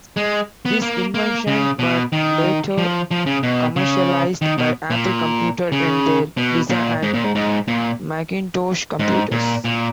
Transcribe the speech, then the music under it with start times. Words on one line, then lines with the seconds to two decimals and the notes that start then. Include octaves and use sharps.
These inventions were later commercialized by Apple Computer in their Lisa and Macintosh computers.
0.17 G#3
0.65 B3
0.82 A#3
1.14 A#3
1.47 C#3
1.79 B2
2.12 D#3
2.78 F3
3.11 F3
3.26 C#3
3.43 B2
3.76 C#3
4.42 D#3
4.58 B2
4.90 A#2
5.72 C#3
6.37 B2
6.70 A#2
7.03 G#2
7.14 A#2
7.24 G#2
7.35 G#2
7.68 A#2
8.99 G#2
9.32 A#2
9.65 A#2